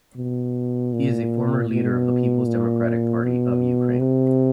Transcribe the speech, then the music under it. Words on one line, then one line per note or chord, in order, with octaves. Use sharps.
He is a former leader of the People's Democratic Party of Ukraine.
B2
A#2
B2
A#2
B2
C3